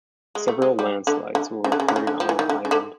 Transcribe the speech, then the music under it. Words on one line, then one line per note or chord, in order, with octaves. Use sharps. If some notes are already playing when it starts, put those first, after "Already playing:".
Several landslides were reported on the island.
G#3
A3
G#3
G3
D3
D3
C#3
D3
C#3
D3
C#3
D3
F3
E3
D#3
D3
C#3
D3